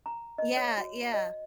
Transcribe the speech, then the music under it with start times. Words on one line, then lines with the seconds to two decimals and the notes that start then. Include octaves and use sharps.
Yeah, yeah,
0.06 A#5
0.38 D#5
0.57 C#5
0.78 F#4
1.14 D#5